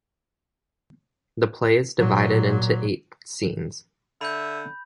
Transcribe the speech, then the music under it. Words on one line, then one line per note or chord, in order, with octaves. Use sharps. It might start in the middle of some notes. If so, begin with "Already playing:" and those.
The play is divided into eight scenes.
A#2 F#3
D3 E5 B5 G6